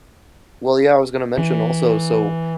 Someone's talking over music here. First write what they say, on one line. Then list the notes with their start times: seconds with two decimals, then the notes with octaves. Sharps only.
well, yeah, I was gonna mention also. So,
1.38 E3